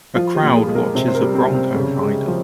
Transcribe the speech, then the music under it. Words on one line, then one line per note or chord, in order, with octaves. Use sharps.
A crowd watches a bronco rider.
F3 F4
G4
A#2
G#4
G#3
A#4
C3 C5
C5
A#4
G3
C4
C3
C4
C#3
G#3
F3